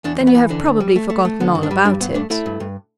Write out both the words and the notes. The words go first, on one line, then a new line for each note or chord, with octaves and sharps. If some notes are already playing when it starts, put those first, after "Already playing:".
"Then you have probably forgotten all about it."
E2 D4
E2
B3
E3
D3 D4
D2
G3
A3
A3
A3
D3 B3
G2
D4
G3
G2 D4
G2 B3
A3 D4
A3 E4
G2
G2